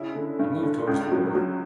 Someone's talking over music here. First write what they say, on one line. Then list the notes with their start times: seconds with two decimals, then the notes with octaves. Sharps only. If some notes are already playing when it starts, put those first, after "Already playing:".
He moved towards the door.
Already playing: C#3 E4
0.15 D3
0.39 G2
0.63 D3
0.87 C#2
1.12 F#3
1.35 F#3